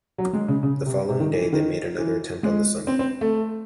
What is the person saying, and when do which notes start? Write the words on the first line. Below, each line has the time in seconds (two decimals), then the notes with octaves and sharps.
The following day they made another attempt on the summit.
0.18 F#3
0.33 G#3
0.48 C#3
0.63 C#3
0.86 C3
1.09 C3
1.20 D#3
1.31 E3
1.42 E3
1.53 D#3
1.98 E3
2.43 G#3
2.87 C4
2.99 C4
3.21 A3